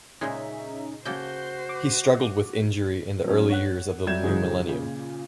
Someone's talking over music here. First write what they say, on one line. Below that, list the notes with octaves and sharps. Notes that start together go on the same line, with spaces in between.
He struggled with injury in the early years of the new millennium.
A#2 C#3 G#3 C#4 D#4 G#4 E5
C#3 A#3 F#4 A4 C5 G6
D6
F#3 A3 C#4
C#5 F#5 F#6
F#3 G3 E5 G6 G#6 E7
G#2 C#3 E3 F#3 G#3
A#2 C#3